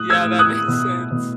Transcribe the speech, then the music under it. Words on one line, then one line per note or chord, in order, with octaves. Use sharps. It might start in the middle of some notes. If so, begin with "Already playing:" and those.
Yeah, that makes sense.
Already playing: A2 D#6 F#6
E6 G#6
A2
D#6 F#6
B2
B2